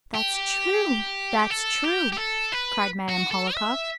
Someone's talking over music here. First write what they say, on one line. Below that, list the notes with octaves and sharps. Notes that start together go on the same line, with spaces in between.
"That's true, that's true," cried Madame Hohlakov.
G4
A4
G4
G4
A4
B4
F#4
A4
E5